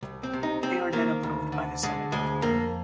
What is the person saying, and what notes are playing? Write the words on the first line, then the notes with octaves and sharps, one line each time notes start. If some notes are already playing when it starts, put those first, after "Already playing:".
They are then approved by the Senate.
C2
C4
C3
D#4
C2 C4
D#3 A#3
D2
D3
D3 G#3
D2 G#3
F2 A#3